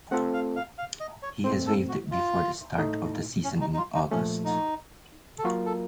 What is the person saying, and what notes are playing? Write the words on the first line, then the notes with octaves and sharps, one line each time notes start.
He was waived before the start of the season in August.
A3 C4 F4 A4 F#5
F5
F5
F5
D#5
C#5
A#2 A3 C4 C5
A4
F#4
F4
A2 A3 D#4
C#4
D#4
D#4
F4
D#4
A#2 F3 A3 C#4
D#4
A4
F#3 A#3 F4 F#4 A#4
A4